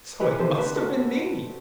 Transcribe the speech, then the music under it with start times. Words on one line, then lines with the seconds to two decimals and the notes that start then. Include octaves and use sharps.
So it must have been me!
0.20 E3 G4 B4
0.39 C3 A4 C5
0.58 D2 G4 B4
0.76 F#4 A4